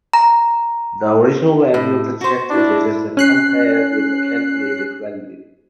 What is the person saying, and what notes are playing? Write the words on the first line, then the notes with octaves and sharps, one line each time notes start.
The original value of the check digit is then compared with the calculated value.
A#5
A2
F#4 C5
D4 E4
C#4 F#6 C7